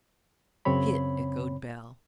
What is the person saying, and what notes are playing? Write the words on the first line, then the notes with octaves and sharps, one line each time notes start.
"Hit!" echoed Bell.
F#2 C#3 C4 C#5 B5